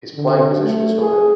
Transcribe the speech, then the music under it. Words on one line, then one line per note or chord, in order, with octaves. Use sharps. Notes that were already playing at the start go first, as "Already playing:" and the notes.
His playing position is hooker.
D3
A3
G#4